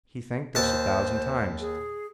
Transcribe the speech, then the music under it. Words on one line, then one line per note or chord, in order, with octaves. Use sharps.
He thanked us a thousand times.
D#2 C5 A5
G#4